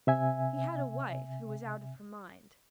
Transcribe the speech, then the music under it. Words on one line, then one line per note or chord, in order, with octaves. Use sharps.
He had a wife who was out of her mind.
C3 E5 G#5